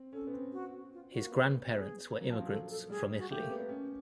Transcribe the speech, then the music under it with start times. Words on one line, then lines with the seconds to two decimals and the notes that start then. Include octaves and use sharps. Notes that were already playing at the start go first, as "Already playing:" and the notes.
His grandparents were immigrants from Italy.
Already playing: C4
0.13 C#4 A4
0.27 B3
0.33 C4
0.53 F#4
0.93 F4
1.12 F#4
1.20 A#3
1.32 B3
1.71 G#4
2.11 A#3
2.21 F#3
2.30 F3
2.41 F#3
2.50 A4
2.70 A4
2.90 G3 G#4
3.19 F#4
3.30 A3 G4
3.40 A#3
3.50 B3
3.60 B3
3.69 C#4